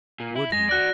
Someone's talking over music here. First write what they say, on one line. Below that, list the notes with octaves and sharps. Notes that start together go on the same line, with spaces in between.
Would he!
A#2
E4
G#3 A#6
F#4 D5 F#6 A#6